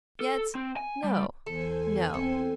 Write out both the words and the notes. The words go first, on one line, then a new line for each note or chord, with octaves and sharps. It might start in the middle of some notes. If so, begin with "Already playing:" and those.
Yet, no! No.
A4
C4
G#5
G3
E2 A4 C5 G#5
C4 A4